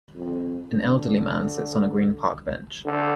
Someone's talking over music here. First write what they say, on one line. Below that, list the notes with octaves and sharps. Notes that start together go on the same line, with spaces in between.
An elderly man sits on a green park bench.
F2
D3
D3